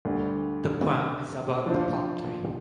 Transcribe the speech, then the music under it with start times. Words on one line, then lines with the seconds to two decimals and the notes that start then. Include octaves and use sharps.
The poem is about the palm tree.
0.05 D2 D3 G3
1.66 F3 D4 F4 C5